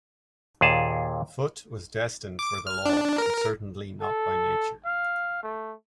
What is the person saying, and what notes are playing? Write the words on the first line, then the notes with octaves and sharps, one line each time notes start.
Foote was destined for the law, but certainly not by nature.
D#2 A#2 G#4 A5
D6
F6
D4
A#4
A4
F5
A3